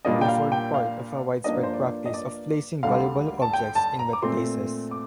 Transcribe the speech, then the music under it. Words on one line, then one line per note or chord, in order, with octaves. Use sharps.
They formed part of a widespread practice of placing valuable objects in wet places.
A#2 G3 A#3 D4 D#5
G5
F5
G5
F5
G2 F3 A#3 D4 D#5
D5
C5
D5
D#5
D5
D2 D3 G3 F5
A5
G5
A5
A#5
D6
A#2 A3 C4 C6
D6